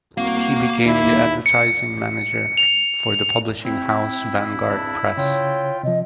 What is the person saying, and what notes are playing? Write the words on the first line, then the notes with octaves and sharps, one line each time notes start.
She became the advertising manager for the publishing house Vanguard Press.
C2 A#3 F#4 F5
D#2 E4
C#7
F7
C4 E4 G5
C#3 D4 D5
C#3 F4 C#5 G5
C3 F3 D#5